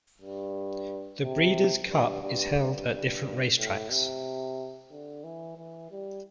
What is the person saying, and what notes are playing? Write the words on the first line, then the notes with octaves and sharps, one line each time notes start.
The Breeders' Cup is held at different racetracks.
G2
C3
G2
G2
G2
G2
A2
C3
D3
E3
E3
G3